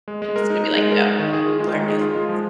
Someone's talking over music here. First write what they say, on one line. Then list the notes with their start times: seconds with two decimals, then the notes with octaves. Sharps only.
It's gonna be like, no, you learn new things.
0.08 G#3
0.22 G#3
0.36 A#4
0.50 D#4
0.64 G#3
0.77 G#3
0.91 A#4
1.05 D#4
1.19 D#3
1.33 G#4
1.47 F4
1.60 G#3
1.74 D#3
1.88 G#4
2.01 F4
2.15 G#3
2.29 F3